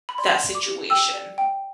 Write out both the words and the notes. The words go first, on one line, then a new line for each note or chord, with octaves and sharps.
that situation?
B5
D5 C6
D5
D6
G4
G5 E6
D5
G5